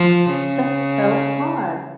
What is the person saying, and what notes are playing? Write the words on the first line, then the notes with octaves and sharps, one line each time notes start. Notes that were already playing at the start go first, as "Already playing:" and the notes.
That's so odd.
Already playing: F3
C#3